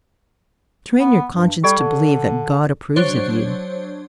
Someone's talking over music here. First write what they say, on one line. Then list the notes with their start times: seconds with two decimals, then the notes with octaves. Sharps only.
Train your conscience to believe that God approves of you.
1.00 B3
1.33 G2
1.64 G3 G4 A4 D5
1.79 D3
2.96 F#3 D4 C5 C#5